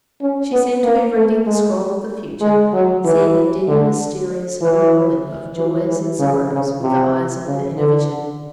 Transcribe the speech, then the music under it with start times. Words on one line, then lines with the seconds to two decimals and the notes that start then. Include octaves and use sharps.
She seemed to be reading the scroll of the future, seeing a dim, mysterious unrolling of joys and sorrows with the eyes of her inner vision.
0.21 C#4
0.52 B3
0.84 A#3
1.15 A3
1.46 G#3
2.41 G#3
2.73 F#3
3.05 E3
3.68 D3
4.61 E3
5.56 E3
5.88 E3
6.19 C#3
6.51 C#3
6.82 C3
7.46 C#3
7.77 D3